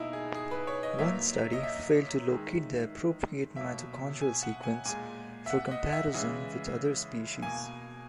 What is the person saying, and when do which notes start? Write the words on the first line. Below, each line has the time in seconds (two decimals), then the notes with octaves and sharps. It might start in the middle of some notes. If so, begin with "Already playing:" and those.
One study failed to locate the appropriate mitochondrial sequence for comparison with other species.
Already playing: B2 A#3 D#4 E4
0.13 G#4
0.35 G#4
0.51 B4
0.67 C#5
0.83 D#5
0.99 A#2 F#3 A#3 E5
1.53 D#5
1.63 E5
2.28 D#3 G#3
3.56 B2 F#3 A#3 E5
4.21 G#5
4.43 F#5
4.63 G#5
4.85 A#2 G#3 G#5
5.46 E5
5.50 F#5
5.71 D#5
5.86 F#5
5.93 E5
6.14 C#3 E3 G#3 E5
7.42 B2 A#3 G#5